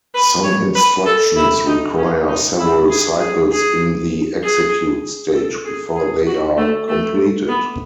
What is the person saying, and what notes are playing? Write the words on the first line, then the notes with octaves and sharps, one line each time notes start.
Some instructions require several cycles in the execute stage before they are completed.
B4
C#5
B4
A4
E4
D#4
C#4
D#4
E4
G#4
G#4
G#4
G#4
A4
G#4
G#4
F#4
A3
A3
B3